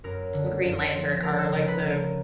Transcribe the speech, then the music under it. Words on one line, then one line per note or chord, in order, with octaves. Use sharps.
Green Lantern are, like, the,
F#2 A#4
D3
F#2
F3
C#2 A#4
A4
C#3 A#4
B4
A3 A#4